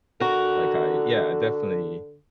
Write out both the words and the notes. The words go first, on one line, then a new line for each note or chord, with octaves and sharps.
like, I Yeah, I definitely,
D3 F#4 A#4